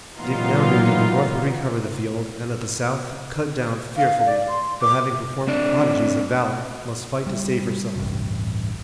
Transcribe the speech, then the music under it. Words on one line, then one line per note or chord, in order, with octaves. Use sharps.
Dick now knew that the North would recover the field, and that the South, cut down fearfully, though having performed prodigies of valor, must fight to save herself.
A#2 E3 F#3 B3 D#4 F4
F5
D5
C6
D6
A3 C4 D4 D5
G3
D1 A1 G2 C3